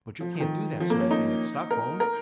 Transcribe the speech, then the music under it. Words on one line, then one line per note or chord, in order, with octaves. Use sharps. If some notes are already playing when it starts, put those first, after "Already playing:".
"But you can't do that sort of thing at Stockholm!"
F3
D#3
F3
A#3
C#4
D#4
A#4
A#4